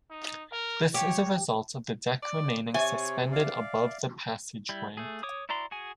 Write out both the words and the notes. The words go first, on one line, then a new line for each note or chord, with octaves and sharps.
This is a result of the deck remaining suspended above the passageway.
D#4
A#4
G4 C#5
D5
C3 C#5 E5 G#5
D5 F5
G3 E4
A3 G#4
C#5 D6 D#6
E4 F#4 D5 A#5 C6
F#4 G#4 G#5